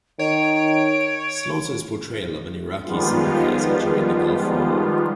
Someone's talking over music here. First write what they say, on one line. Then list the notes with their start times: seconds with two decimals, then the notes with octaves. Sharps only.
Slaughter's portrayal of an Iraqi sympathizer during the Gulf War.
0.19 D#3 C#5 D7
2.84 D#3 F3 G3 G#3 B3 F4